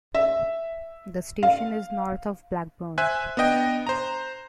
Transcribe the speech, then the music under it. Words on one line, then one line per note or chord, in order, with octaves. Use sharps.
The station is north of Blackburn.
E5
F5
C5 E5 G#5 F#6
B3 D4 D#5 G5
C5 A#5